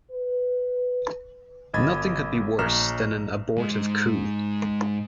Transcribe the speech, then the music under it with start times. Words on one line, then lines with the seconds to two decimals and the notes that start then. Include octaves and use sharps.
Nothing could be worse than an abortive coup.
0.11 B4
1.74 G1 D#5 B5 G#6 A6
2.59 A#1 A#5 F6 E7
3.57 G#2 G#3